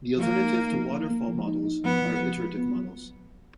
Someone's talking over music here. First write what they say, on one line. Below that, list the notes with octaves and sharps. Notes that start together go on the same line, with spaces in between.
The alternative to waterfall models are iterative models.
F3 A#3
D#4
D#4
F3
A#3
A#3
F3
D#4
D#4
F3 B3
F3
F3
F4
B3
F#3